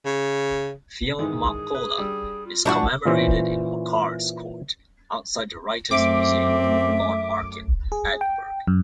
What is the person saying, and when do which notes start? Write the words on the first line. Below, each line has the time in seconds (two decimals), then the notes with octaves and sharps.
Fionn Mac Colla is commemorated in Makars' Court, outside The Writers' Museum, Lawnmarket, Edinburgh.
0.06 C#3
1.19 G#2 D#3 E3 G#4
1.75 B4
1.98 G3 D4 E6
2.46 F4
2.65 G2 A#2 E3 D4 D#4 F#4 C#6
3.05 A#2 E3 C#4 C5
5.91 F#2 A3 C4 E5 D6
7.92 G#4
8.21 G5
8.67 F#2